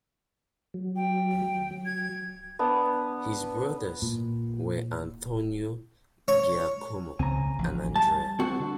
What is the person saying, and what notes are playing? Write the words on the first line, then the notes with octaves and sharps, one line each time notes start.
His brothers were Antonio, Giacomo and Andrea.
F#3
G5
F#3
G#6
B3 D4
A#2
C#5
C#2 C#3 C4 G#5 A#5
A1 F3
G3 A5
C4 F#4
D3